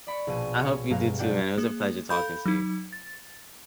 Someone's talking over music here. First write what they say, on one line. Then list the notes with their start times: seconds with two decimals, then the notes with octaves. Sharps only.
I hope you do too, man, it was a pleasure talking to you.
0.07 D5 B5 C#6
0.27 A#1 B2 D#7
0.60 C#5
0.90 G2 B2 F#3 G#3 A#4 F5
1.19 D4 F4 D5 F#5 G5
1.58 A#3 G#4
2.10 A4 F5 B5 G6
2.46 F#3 D#4
2.93 A6